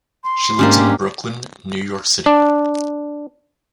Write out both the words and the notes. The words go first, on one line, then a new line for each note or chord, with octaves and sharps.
She lives in Brooklyn, New York City.
C6
G#2 A#3 C#4 D4 G4
D4